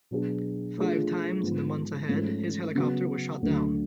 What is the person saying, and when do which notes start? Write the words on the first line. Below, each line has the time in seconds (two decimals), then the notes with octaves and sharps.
Five times in the months ahead, his helicopter was shot down.
0.11 B2 F#3 B3 D4 G#4
0.77 F3 A3 D4 F4 G#4
1.43 G#2 F3 B3
2.09 G#2 F3 A3 C#4
2.75 C#3 F#3 B3 F#4
3.42 D2 D3 F#3 A3 D4